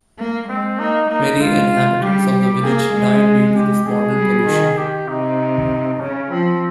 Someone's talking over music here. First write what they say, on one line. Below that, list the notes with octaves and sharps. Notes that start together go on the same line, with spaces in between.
Many inhabitants of the village died due to this mortal pollution.
A#3
G#3 C4
A#3 D#4
A#3 D#4
G#3 F4
G3 G4
G3
A#3 G#4
G#3
G4
G#3 G#4
G3
D#3
D#3 G4
C3 D#4
C#3 C#4
F3 C4